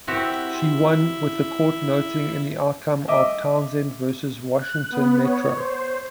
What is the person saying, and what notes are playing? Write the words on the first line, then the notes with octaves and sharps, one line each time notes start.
She won, with the court noting in the outcome of Townsend versus Washington Metro.
C4 E4 F#4 G4
D#5 E5 D6
F#6
B3
C#5
C5